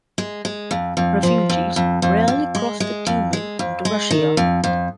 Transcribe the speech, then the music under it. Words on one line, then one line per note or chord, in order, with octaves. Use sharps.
Refugees rarely cross the Tumen into Russia.
G#3
G#3
F2
F2
F3
F2
F2
F2
F2
G#3
G#3
F2
G#3
F2
G#3
D#3
F2
F2